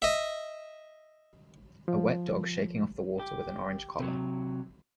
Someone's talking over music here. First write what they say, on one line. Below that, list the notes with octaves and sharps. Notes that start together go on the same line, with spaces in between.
A wet dog shaking off the water with an orange collar.
D#5 E5
F3
G4
C3 F#3